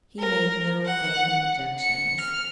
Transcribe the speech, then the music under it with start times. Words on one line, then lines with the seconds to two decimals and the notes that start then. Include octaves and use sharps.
He made no vain objections.
0.19 A#4
0.86 F#5
1.79 C#7
2.20 F6